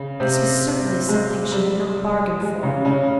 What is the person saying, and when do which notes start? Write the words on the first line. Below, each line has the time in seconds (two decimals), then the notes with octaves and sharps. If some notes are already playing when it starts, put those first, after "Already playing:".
This was certainly something she had not bargained for.
Already playing: C#3 C#4
0.20 C3 C4
1.09 G#3
1.52 G3
1.97 G3
2.41 G#3
2.63 C#3 C#4
2.85 C#3 C#4